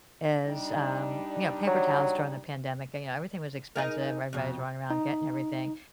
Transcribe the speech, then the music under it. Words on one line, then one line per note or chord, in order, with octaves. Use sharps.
as, um, you know, paper towels during the pandemic, you know, everything was expensive, everybody was running around getting everything.
G3 D4 D#4
F#3
D#4 G#4 A#4
F2 B2
D#4